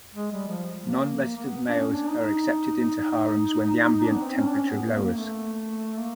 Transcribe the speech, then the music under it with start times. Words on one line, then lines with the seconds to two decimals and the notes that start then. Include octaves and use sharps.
Nonresident males are accepted into the harems when the ambient temperature lowers.
0.15 G#3
0.32 G3
0.48 F3
0.80 A#3
1.36 A#3
1.45 B3
1.68 D4
1.77 C#4
1.94 D4
2.10 D#4
4.05 D4
4.13 B3
4.21 C4
4.37 C#4
4.46 D4
4.53 C#4
4.70 B3
4.86 A#3
5.02 A#3
5.18 A3
5.99 A#3